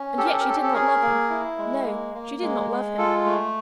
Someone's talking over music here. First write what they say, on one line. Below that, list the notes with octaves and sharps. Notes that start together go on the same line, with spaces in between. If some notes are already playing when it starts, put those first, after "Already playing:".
And yet she did not love him. No, she did not love him.
Already playing: C#4
G4 A4
A#4
A4
A#4
C#4 A4
A4
G#4 A#4
A#3
E4
G#3
A#3
A#3
G#3
G#3
F4 A4
A3